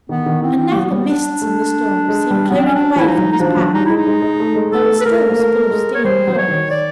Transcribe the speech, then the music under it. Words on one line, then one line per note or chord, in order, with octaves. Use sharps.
And now the mists and the storms seemed clearing away from his path, though it still was full of stinging thorns.
D#3 B3
D#3
E3 C4
E3
A#3
F#3 B3
G3
D4
A3
G#3
G3
F#3 B3
C4
C#4
D4
F3 E4
D#4
F#3
D#4
F3 D4
F#3
G3 D#4
G#3 E4
D#4
G#3
G#3
A3
G#3
A3 A4
B4
A3 A#4
A#3
A3
G#3
C#5
G3 C5
F#3
C5
C#5
D#3
D5